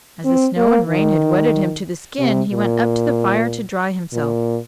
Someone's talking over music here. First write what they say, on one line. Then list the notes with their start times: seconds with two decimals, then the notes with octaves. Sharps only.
As the snow and rain had wetted him to the skin, he went up to the fire to dry himself.
0.25 C4
0.57 A#3
0.89 D#3
2.19 C3
2.51 A#2
4.13 A#2